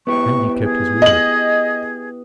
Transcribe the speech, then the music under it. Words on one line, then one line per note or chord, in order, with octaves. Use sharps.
And he kept his word.
B3 E4 G4 C#6
G#4
D#5 F#7